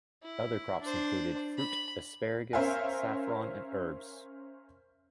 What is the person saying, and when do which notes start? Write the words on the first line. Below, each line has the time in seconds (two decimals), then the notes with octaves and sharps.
Other crops include fruit, asparagus, saffron and herbs.
0.23 E4
0.81 D4 C5
1.58 B5
2.53 C#4 A#4 C5 E5 F5 G#5